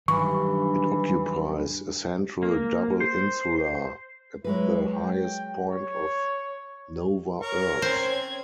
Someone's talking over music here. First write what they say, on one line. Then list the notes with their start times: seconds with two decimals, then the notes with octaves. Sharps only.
It occupies a central double insula at the highest point of "nova urbs".
0.08 G2 D#3 E3 F#3 C#6
2.43 A#3
3.00 C5
4.44 F#3 G#3 E4 B4
4.94 G5
5.69 C#5
7.42 A#4 C#5 C#6
7.82 C4 C#4 C5 G#6